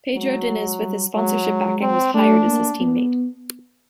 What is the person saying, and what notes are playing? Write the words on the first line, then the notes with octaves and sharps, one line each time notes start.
Pedro Diniz with his sponsorship backing was hired as his teammate.
F#3 G#3
G#3
G3
F#3 G#3
G#3
C4
A3 D4
A#3
B3